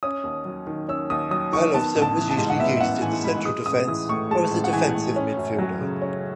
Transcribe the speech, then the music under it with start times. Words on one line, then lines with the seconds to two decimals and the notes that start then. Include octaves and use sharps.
Herlovsen was usually used in the central defence or as a defensive midfielder.
0.03 C#4 D#6
0.24 D#2
0.45 F#3
0.67 D#3
0.89 C#4 E6
1.10 D#2 D#6
1.31 F#3 D#6
1.52 D#3 C#6
1.74 B3 A5
1.95 A1
2.02 A5
2.17 E3
2.31 A5
2.38 G#2
2.50 F#5
2.60 B3 E5
2.77 E5
2.80 A1 F#5
3.02 E3 G#5
3.24 G#2 B5
3.45 G#3 D#6
3.66 A1 D#6
3.87 E3 D#6
4.09 A2 C#6
4.31 G#3 A5
4.52 A1
4.64 F#5
4.73 E3 G#5
4.94 A2
5.16 C#4
5.37 F#2
5.59 F#3
5.81 C#3
6.02 C#4